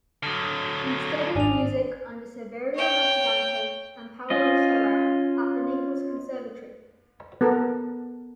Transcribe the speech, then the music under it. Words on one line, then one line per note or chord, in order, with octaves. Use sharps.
He studied music under Saverio Mercadante and Paolo Serrao at the Naples Conservatory.
D3 F#3 D#6 F6
G#1 D4 G#5 F7
C#5 G5
C#4 F4 D#5
B3 A4 A#4